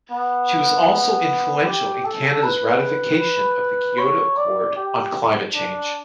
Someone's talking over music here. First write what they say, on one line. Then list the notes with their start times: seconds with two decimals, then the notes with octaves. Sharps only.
She was also influential in Canada's ratification of the Kyoto Accord on Climate Change.
0.11 B3
0.88 B3
1.66 G4
2.04 A4
2.43 B4
3.99 C#5
4.37 D5
4.76 G4
5.54 D4